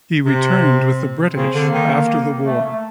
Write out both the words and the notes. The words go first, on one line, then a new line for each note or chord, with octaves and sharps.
He returned with the British after the war.
C3 C4
C#3 C4
D3
A#3
D#3
A3
A3